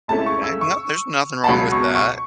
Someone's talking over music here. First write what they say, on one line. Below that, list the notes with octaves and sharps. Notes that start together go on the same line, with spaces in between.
Okay, well there's nothing wrong with that.
C#2 C#3 A3 C#4 E4 A5
C#6
E6
C#6
A5
C#2 B2 F#3 B5
C#6
C#6